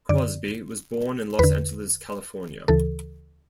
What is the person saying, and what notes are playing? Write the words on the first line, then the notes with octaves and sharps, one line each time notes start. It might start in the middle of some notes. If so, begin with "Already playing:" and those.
Crosby was born in Los Angeles, California.
F#2 D3 D5
E2 D3 B4
D2 C#3 E3 A4